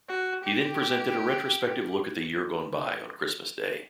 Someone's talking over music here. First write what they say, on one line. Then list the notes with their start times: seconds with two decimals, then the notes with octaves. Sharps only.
He then presented a retrospective look at the year gone by on Christmas Day.
0.09 F#4
0.44 G4